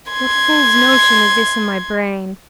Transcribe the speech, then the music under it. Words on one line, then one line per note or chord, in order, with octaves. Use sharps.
What fool's notion is this in my brain?
C6 G#6